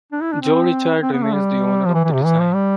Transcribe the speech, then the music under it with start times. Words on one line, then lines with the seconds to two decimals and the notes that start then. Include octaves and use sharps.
Jo Richard remains the owner of the design.
0.12 D4
0.21 E4
0.32 D4
0.42 C4
1.02 C4
1.13 B3
1.22 A3
1.33 G3
1.86 F3
1.94 E3
2.04 E3
2.14 C3
2.25 E3
2.39 F3
2.54 G3